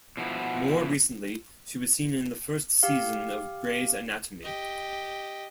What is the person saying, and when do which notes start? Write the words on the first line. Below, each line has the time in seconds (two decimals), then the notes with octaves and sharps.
More recently, she was seen in the first season of "Grey's Anatomy".
0.17 B2 F3 E4 F4 F#5
2.83 G4 F5
4.43 G4 D#5